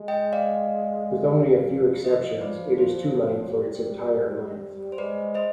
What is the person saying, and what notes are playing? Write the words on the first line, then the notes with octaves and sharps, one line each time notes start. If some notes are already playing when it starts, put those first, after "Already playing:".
With only a few exceptions, it is two-lane for its entire length.
Already playing: G#3
D#5 G5
D5 F5
G3
F3
C5 D#5
B4 D5
C5
G3
C5
G#3 B4 D5
C5 D#5